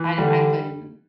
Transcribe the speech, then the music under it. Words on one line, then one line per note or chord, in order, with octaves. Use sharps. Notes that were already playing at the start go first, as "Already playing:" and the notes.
I I couldn't.
Already playing: E3
D3 G3